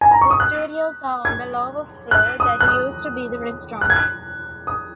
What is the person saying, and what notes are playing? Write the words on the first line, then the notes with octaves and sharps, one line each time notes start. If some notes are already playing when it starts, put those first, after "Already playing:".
The studios are on the lower floor that used to be the restaurant.
G#5
A#5
C#6
D#6
F#6
G#6
F#6
D#6
F#6
D#6
F#6
G#6
F#6
D#6